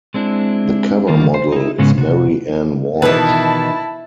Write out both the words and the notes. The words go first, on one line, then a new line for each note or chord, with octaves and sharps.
The cover model is Mary Ann Walsh.
G#3 C4 D4 E4
D#3 G3 A#3 F4
C5
D#4 E4
G#2 C#3 G#3 B3 C#4
C3 F#4
B2 D#3 E3 E4 B4 A5 D#6